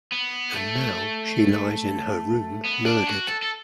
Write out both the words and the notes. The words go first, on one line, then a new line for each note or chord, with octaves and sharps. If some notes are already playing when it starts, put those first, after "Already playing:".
And now she lies in her room murdered!
B3
A3
B3
D4
F#4
A4
A4